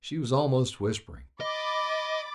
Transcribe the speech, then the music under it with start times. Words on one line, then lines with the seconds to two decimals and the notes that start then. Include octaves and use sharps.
She was almost whispering.
1.41 D#5 B5 D6 A6